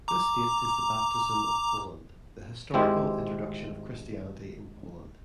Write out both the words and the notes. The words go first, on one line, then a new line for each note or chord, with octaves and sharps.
This date is the Baptism of Poland, the historical introduction of Christianity in Poland.
A#5 D6
G#1 G#3 C4 E4 G4